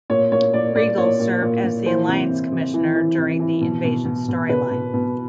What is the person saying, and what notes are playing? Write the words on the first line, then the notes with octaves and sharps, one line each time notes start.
Regal served as The Alliance Commissioner during the Invasion storyline.
A#2 C#5
A#2 C#5
A#2 D5
A#2 D5
A#2 C#5
A#2
A#2
A#2
E3 C5
C3
C3
C3
E3
E3
C3
E3
B2
B2
B2
B2
B2 B4
B2
B2